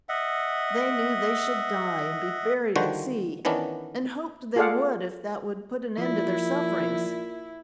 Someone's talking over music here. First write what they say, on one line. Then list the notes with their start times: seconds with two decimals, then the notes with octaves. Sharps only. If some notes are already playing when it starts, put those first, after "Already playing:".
They knew they should die and be buried at sea, and hoped they would if that would put an end to their sufferings.
0.09 D#5 E5 F#5
2.76 D3 D#3 F3 G3 F#4 C5
3.45 D#3 E3 B3 C#4 D4
4.56 F4 G#4 A4 D5 F5 F#5
5.98 A#2 F3 E4